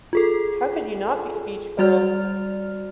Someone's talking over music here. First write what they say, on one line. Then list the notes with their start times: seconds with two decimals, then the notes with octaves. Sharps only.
How could you not be a beach girl?
0.13 F4 G#4 A4
1.79 G3 F#4 D5 F6